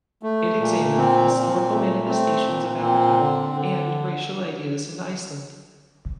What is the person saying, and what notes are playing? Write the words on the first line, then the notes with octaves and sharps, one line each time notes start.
It examined historical manifestations of Africa and racial ideas in Iceland.
A3
A#2
C4
A#2
A3
C4
A#2
C4
D3
D3